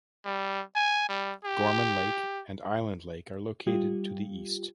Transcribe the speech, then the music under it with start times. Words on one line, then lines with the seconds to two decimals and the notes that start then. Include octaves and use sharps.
Gorman Lake and Island Lake are located to the east.
0.25 G3
0.75 G#5
1.09 G3
1.44 G4
3.67 G3 F4 G4